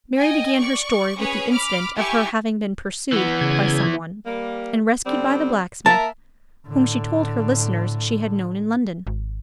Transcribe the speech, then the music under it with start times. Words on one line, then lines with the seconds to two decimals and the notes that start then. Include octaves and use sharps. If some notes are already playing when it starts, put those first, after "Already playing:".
Mary began her story with the incident of her having been pursued by some one, and rescued by the blacksmith, whom she told her listeners she had known in London.
0.17 D#5 G5 G#5
0.58 D5 C#6
1.17 C#4 G#4 B4 C#5
1.51 B5 D6 F6
1.95 E4 G4 A4 G#5 C#6
3.12 E3 B3
3.41 C#3 G#6
4.26 G3 A#3
5.06 D3 G3 C4
5.86 A#3 A#4 E5 A5
6.66 A2 D3
9.07 G#1